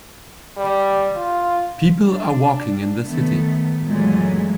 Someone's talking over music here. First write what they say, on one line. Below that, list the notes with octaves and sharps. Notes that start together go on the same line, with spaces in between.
People are walking in the city.
G3
F4
D4
D#3 A3 B3
F#2 A#2 E3 F#3 G#3 A3